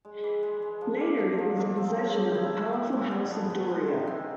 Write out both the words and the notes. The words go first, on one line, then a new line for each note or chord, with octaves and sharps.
Later it was a possession of the powerful House of Doria.
G#3
E3
G#3
G#3
F3
A#3
F3
F3
F3
C4
C#3
C4
E4
E4
E4
E3
B3
F3
B3
G#3
D#3
C4